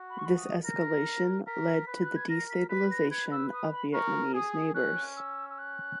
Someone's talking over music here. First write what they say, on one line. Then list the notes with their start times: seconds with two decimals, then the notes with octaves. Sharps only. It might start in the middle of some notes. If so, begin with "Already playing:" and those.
This escalation led to the destabilisation of Vietnamese neighbours.
Already playing: F#4
0.09 B5
0.18 C#6
0.25 B5
0.37 D#6
0.64 A#4 A#6
1.47 A#4 B6
1.87 B4
2.02 F#6
2.15 G#6
2.29 A#4 A#6
2.49 B6
2.69 B4 B6
2.91 A#6
3.10 B4 G#6
3.31 E6
3.52 D#6
3.72 B5
3.93 A#4 C#6
4.34 G#4 D#6
4.74 C#4 F#6
5.16 E6
5.49 E6
5.57 F#6